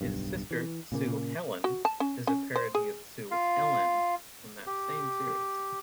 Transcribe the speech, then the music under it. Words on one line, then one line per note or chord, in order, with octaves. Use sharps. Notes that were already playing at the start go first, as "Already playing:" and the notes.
His sister, Sue Helen, is a parody of Sue Ellen, from that same series.
D1 B1 G2
E3
A#2 C#3 A#3
F#4
A5
C#4
C#4
C5
G#4
F4 F5
G4